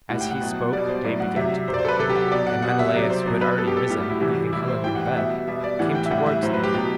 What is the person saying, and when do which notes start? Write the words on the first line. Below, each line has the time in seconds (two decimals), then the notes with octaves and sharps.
As he spoke day began to break, and Menelaus, who had already risen, leaving Helen in bed, came towards them.
0.10 A2 G3 F#5
0.21 G5
0.31 F#5
0.41 B2 F#3
0.73 B2 G3 D5
0.89 C5
1.04 A2 F#3 D5
1.20 F#5
1.36 C3 F#3 E5
1.68 C3 F#3 C5
1.74 D5
1.79 C5
1.85 A4
1.88 B4
1.99 C3 F#3 A4
2.10 G4
2.16 F#4
2.32 B2 F#3 D5
2.47 F#5
2.63 B2 G3 F#5
2.79 E5
2.94 C3 F#3 D5
3.10 C5
3.26 B2 F#3
3.41 B4
3.58 B2 G3 A4
3.67 G4
3.77 A4
3.90 A2 G3 G4
4.00 F#4
4.10 E4
4.20 C3 E3 G3 F#4
4.53 A2 E3 G3 E4
4.68 C5
4.84 A2 E3 G3 G5
4.95 F#5
5.06 F#5
5.16 B2 G3 E5
5.47 B2 G3 E5
5.64 D5
5.79 A2 E3 G3 F#5
5.95 G5
6.06 E5
6.11 A2 E3 G3 F#5
6.26 E5
6.43 A2 F#3 C5
6.54 B4
6.64 G4
6.74 B2 F#3 G4